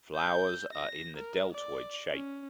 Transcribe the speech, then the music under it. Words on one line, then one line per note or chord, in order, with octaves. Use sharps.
Flowers are in the deltoid shape.
G6
A#6
A#4
D5
C#4